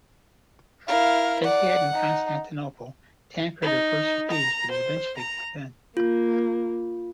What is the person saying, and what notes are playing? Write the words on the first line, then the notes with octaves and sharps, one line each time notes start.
As he had in Constantinople, Tancred at first refused, but he eventually gave in.
E4 A#4 F5
D5 F#5
D#4
D#4
A#5
C5
A#5
A#3 F4